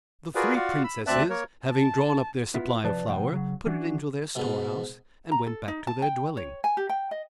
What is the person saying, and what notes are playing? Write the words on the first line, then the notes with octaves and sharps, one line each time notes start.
The three princesses, having drawn up their supply of flour, put it into their storehouse, and went back to their dwelling.
F4 F#4 G#4 A#4 B4 D5
F4 F#4 D5 F5 F#5
B5 E6
D2 C4 D5 E5 A5 F#6
A#3 A#4 C#5
A5
B3 E4 F4
C2 F3 B4 D5 A5
C2 A2 F3 E5 F#5 G5
C#3 F#3
E3 C#4 D4 F#4
G#2 B2
A#5
A4
D#4
A5
G5
C#5
G#5
G4
G5
D#5